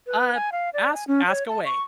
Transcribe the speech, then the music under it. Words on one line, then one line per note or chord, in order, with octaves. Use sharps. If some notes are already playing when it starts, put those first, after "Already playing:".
uh, ask ask away.
B4
G#5
F5
D5
G#5
C#4
C#5
A5
C#6